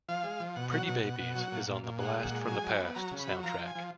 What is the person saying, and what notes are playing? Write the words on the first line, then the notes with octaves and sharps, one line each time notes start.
"Pretty Babies" is on the "Blast from the Past" soundtrack.
F3 F5
G#3
F3
B2 F#5
F#3 F#5
B2 F#5
B2
B2
F#3
A#2
A#2
A#2
G#3 F#5
A#2
F#5
G#3
F#3 G#5
F#3
B3
F#3 A#5
C#3
B5
F#3
F3 A#5
F3
G#5
F3